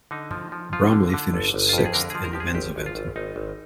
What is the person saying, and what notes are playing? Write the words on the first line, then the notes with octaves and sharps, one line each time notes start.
Bromley finished sixth in the men's event.
D3 D#4
F3
F3
F3 F4
D3
D3
G1
G1
F4
F2 G4
G#4
D3 A#4
F3 G#4
A#4
F3 G4
G#4
G#1 G4
G#1
F4
G#1
G#1 D#4
G#1